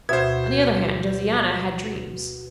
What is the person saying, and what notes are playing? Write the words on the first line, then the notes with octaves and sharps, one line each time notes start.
On the other hand, Josiana had dreams.
D2 B2 F#4 B4 C5 E5 G#6